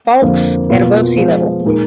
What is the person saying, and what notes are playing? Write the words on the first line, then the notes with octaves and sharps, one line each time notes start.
Fowlkes at above sea level.
F2 D3 F3 A#3
B2 A#3 F4 B4
F3 G#3 B3
A#2 G#3 D#4 A#4